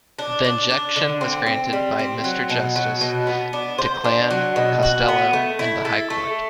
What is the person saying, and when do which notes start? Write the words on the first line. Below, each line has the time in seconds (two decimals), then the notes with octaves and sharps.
The injunction was granted by Mr Justice Declan Costello in the High Court.
0.19 D4
0.44 D4
0.70 D4
0.96 D3
1.21 C4
1.46 C4
1.73 G3
1.99 C4
2.24 F#3
2.49 B2
2.76 F#3
3.01 B2
3.27 B3
3.53 D4
3.78 C5
4.04 D4
4.31 F#3
4.56 B2
4.83 F#4
5.08 B3
5.33 A3
5.59 E4
5.85 A4
6.10 A3